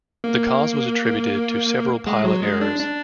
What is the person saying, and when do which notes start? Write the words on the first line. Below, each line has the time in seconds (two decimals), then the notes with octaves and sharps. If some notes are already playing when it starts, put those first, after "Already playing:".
The cause was attributed to several pilot errors.
0.24 A#3
2.07 G#3
2.24 F#3
2.43 G#3
2.61 D4
2.79 D4